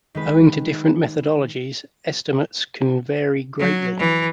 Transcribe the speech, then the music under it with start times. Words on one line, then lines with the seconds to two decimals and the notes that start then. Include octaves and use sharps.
Owing to different methodologies, estimates can vary greatly.
0.15 D#3 G#3 B4
3.59 F#3
3.98 E3